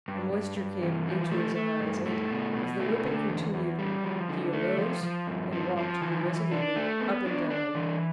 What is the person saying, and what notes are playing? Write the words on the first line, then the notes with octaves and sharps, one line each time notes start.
A moisture came into his eyes, and, as the whipping continued, he arose and walked irresolutely up and down.
G2
G2
G2
E3
F3
A3
A3
G2
A3
B2
B2
A3
D3
E2
E2
G3
F3
D3
A3
F3
F3
G2
F3
F3
E3
E3
D4
A3
B3
D4
D4
E3